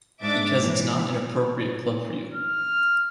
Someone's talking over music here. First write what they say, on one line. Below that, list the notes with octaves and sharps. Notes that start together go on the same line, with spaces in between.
Because it's is not an appropriate club for you.
G#2 D4 E5 D6 A6
E3
F6